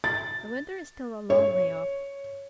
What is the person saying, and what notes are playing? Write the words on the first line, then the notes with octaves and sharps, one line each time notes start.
The Winter is still a long way off.
A6
C#5